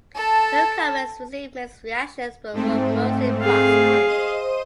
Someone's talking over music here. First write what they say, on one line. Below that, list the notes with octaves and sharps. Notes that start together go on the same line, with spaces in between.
Her comments received mixed reactions but were mostly positive.
A4 A5
G#2 A3 C4
G#4 F5
C5 D#5 D#7